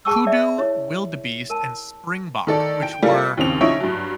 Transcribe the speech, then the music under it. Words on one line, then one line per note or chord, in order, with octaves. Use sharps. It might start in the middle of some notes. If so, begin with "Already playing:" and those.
hoodoo, wildebeest, and springbok, which were,
G#4 G5 A5 C#6 D6 E6
D5 E5 G5
E4 C#5
A#4 A5
D#3 A4 D5
G5
G3 A#3 F4 A4
D#2 C#3 C4 F7
C#3 F3 D#4 C#5 E5 D7
G2 F#3